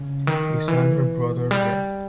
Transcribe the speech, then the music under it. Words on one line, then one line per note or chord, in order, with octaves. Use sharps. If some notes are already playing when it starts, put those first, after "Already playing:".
His elder Brother Rev.
Already playing: C#3
D#3
E3
G3